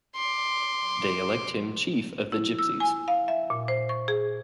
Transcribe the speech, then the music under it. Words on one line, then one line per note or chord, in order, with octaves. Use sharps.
They elect him chief of the Gypsies.
C6 D6
E4
E6
G#5
F5
E5
A#2
C5
C#6
G#4